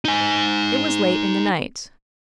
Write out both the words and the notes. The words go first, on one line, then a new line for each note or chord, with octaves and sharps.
It was late in the night.
D#4 G#5